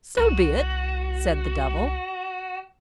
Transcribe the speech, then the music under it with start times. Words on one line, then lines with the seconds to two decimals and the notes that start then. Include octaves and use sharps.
"So be it," said the devil.
0.18 C2 F#4